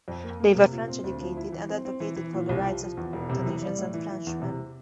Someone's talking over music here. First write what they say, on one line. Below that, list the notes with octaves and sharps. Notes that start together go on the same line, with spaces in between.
They were French-educated and advocated for the rights of Tunisians and Frenchmen.
F2
A#3
A#3
C3
A#2
C4
D2
F3
E4
E3
C4
C4
E3
E3
A#2
C2
F3
F3
E2
E1
C3
E3
G3
A2
E3
E3
E2
C3